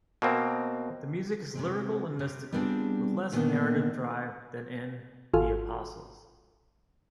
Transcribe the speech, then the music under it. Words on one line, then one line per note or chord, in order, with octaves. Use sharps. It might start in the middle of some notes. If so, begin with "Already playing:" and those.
The music is lyrical and mystical, with less narrative drive than in "The Apostles".
B2 A#3 C4
C3 G#3 C4
C3
G3 B3 C4 D4 F4 G#4
A#2 D3 D#3 A#3 B3
G#1 F4 F#4 A4 G#5 F6